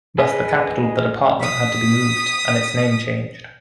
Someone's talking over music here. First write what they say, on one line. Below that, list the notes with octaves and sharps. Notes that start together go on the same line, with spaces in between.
Thus the capital of the Department had to be moved, and its name changed.
G#3 G#4 B4
D#6 B6